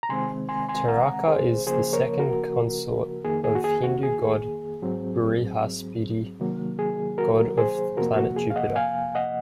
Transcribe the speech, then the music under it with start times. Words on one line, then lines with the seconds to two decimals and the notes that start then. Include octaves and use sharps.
Taraka is also the second consort of Hindu God Brihaspati, God of planet Jupiter.
0.03 A#5
0.09 C3 D#3 G#3 C4 G#5 C6
0.49 G#5 C6
0.69 G#5 C6
0.88 F#5 A#5
1.27 G#4 C5
1.67 C#3 F3 A#3 G#4 C5
1.93 A#4 C#5
2.19 F#4 A#4
3.24 F2 D#3 A#3 G#4
3.44 G#4
3.55 F#4
3.64 G#4
3.83 F#4
4.03 G#4
4.82 G#2 F#3 C4
6.40 C3 D#3 F#3 A#3
6.79 G#4
7.18 F#4 A#4
7.57 G#4 C5
7.97 F2 C3 F3 A#3 F#4 A#4
8.16 F#4
8.36 G#4
8.50 F5
8.56 D#5 F#5
8.76 F5 G#5
9.15 D#5 F#5